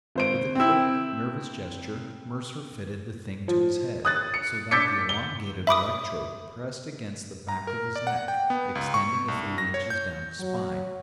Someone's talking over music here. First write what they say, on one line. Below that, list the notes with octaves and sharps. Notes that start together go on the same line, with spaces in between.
With a quick, nervous gesture, Mercer fitted the thing to his head, so that the elongated electrode pressed against the back of his neck, extending a few inches down his spine.
G#1 C5 D7
C3 C4 E4
F3
D#6 F#6 A6
C#7
D6 E6 G6 A6 B6 C#7
G7
E5 B5 D6 D#6
A#5
A#4
D5
F#5
G5
B3
C#2
C#6
C2
A#6
C#5
G6
F#3